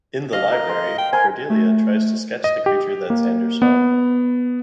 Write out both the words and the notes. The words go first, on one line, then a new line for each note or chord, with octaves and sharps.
In the library, Cordelia tries to sketch the creature that Xander saw.
D#5 F5
A#4
C6
G5
A#4 C5 G#5
A3
D#5
G4
A#3
B3